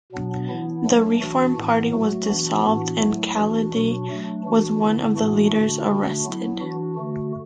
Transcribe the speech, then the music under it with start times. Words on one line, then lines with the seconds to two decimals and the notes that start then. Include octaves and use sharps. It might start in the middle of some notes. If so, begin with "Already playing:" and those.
The Reform Party was dissolved and Khalidi was one of the leaders arrested.
0.12 B2 F#3 B3 D4
0.49 E3 B3 E4
0.85 F#3 A3 D4
1.20 E3 D4 F#4
1.56 A2 E3 B3
1.92 F#3 A3 F#4
2.28 E3 B3 D4 F#4
2.64 A2 E3 B3 D4 F#4
3.00 F#3 A3 E4
3.36 E3 D4 F#4
3.73 B2 F#3 D4 F#4
4.08 F#3 A3 D4
4.44 E3 D4 F#4
4.81 D3 B3 E4
5.15 A2 E3 A3 D4 F#4
5.52 D3 A3 D4 F#4
5.87 D3 A3 D4 F#4
6.24 F#3 B3 E4
6.60 E3 D4 F#4
6.96 D3 A3 F#4